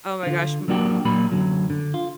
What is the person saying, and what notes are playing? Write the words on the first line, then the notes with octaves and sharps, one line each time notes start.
Oh my gosh, m
D3 F4
F#3 A#3 D4 F#4 G4
A#2 F#3 A#3 B5
F#2 D3 F#3
D3
F4